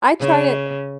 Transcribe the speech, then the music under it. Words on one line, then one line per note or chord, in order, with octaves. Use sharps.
I tried it
C#3